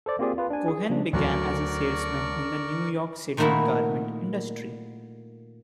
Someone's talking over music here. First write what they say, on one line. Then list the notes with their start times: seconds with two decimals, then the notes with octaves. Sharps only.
Cohen began as a salesman in the New York City garment industry.
0.06 A4 C5 D5
0.19 A#3 C4 F4 G4 G#4 D5
0.38 F4 B4
0.50 D4 G#5
0.68 G#4
0.90 C#3 F3 G3 D4
1.13 D2 F#3 A#4 D5 C#6
3.37 A#2 D#3 A3 A#3 E4 F#4